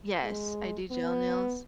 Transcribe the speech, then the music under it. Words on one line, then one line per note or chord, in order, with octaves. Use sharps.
Yes. I do gel nails,
G#3
B3